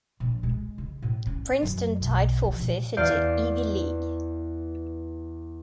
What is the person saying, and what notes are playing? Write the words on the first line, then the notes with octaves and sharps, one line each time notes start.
Princeton tied for fifth in the Ivy League.
A#1
G#3
C#3
A2
C#4
F#2
B1
F3
A#2
E2 D5 F5 F6 G6